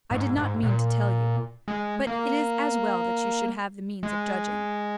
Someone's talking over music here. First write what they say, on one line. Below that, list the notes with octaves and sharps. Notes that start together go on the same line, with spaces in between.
I did not mean to tell you; but it is as well that you should have the means of judging.
G#2
G#2
A#2
G#3
A#3
G#3